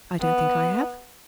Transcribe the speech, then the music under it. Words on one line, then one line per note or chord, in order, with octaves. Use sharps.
I don't think I have.
B3